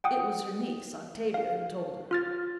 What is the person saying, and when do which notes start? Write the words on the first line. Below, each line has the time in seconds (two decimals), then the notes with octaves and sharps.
It was her niece, Octavia, who told her.
0.04 F#5 G5 D#6
1.34 F5
2.11 F4 F6 A6